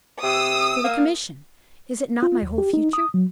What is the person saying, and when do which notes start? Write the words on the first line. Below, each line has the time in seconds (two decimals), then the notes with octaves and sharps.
"For the commission; is it not my whole future?"
0.23 C3 D#6 E6
0.84 A#3
2.23 F4
2.42 D#2
2.58 G4
2.73 D#4
2.93 D#6
3.14 F#3